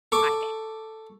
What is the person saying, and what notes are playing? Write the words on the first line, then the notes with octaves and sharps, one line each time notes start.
I think.
A4 C#6 D6